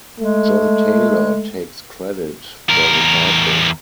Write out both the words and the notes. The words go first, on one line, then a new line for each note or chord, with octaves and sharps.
John Taylor takes credit for the title.
G#3 A3
E2 A#4